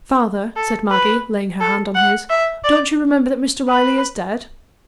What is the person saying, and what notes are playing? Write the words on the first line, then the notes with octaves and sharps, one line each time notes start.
"Father," said Maggie, laying her hand on his, "don't you remember that Mr. Riley is dead?"
A4
B4
A4
F#5
E5
D5
B4